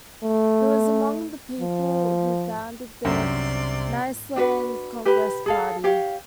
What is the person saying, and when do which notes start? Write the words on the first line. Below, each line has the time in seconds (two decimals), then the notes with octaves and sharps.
He was among the people who founded the Nyasaland Congress Party.
0.23 A3
1.60 F3
3.05 C2 F#2 C3 D4 D5 C6
4.36 D4 F#4 B4
5.05 G4 B4 B5
5.46 G#4 A4 F5
5.84 G4 C#5 F5 G5